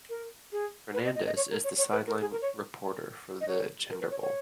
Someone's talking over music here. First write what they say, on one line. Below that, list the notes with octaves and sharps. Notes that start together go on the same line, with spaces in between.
Fernandez is the sideline reporter for the Gender Bowl.
A#4
G#4
B4
D#5
D#5
D#5
C#5
A#4
C#5
C#5
B4
A#4
G#4
A#4
C#5
D#5
C#5
A#4
B4
C#5
C#5